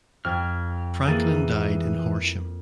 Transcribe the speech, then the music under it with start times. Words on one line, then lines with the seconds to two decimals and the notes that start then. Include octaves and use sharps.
Franklin died in Horsham.
0.25 F2 F6 G#6
1.07 E3 A#3 G#4 A6